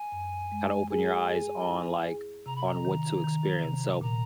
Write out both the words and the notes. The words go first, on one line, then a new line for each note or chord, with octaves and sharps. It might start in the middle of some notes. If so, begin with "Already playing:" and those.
kinda open your eyes on, like on what to experience, so
Already playing: G#5
F#2
G#3
G#4 G#5
G#4
E4
G#4
C3 A#5
B5
A#5
D#3
D#3
C3
A#2 A#5